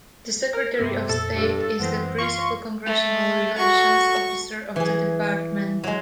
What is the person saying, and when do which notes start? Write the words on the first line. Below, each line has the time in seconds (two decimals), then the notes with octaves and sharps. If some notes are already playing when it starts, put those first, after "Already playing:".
The Secretary of State is the principal Congressional Relations Officer of the Department.
0.53 A#4
0.78 G2 C3 B3 E6
1.09 F2 A#2 A4
1.34 G2
1.79 F#2 E3 B3 C4 A#6
2.18 F4 C#6
2.86 A3
3.58 F#4 A4 C#6
4.76 E3 G#4
5.84 F#3 G#3